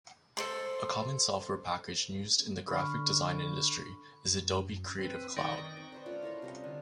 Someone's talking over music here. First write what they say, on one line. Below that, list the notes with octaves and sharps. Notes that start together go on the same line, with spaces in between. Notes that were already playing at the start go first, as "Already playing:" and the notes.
A common software package used in the graphic design industry is Adobe Creative Cloud.
A4 C5 C6
D3 B5 C#6 F6
F#2
C4 B4
D#3 D#4 D5 G5 C#6 A#6
C4
B4 C5 D5
A3 C#4 F4 C#5
E4 A4 A#4 F5
C3 G3 D#5
D3 D4 F4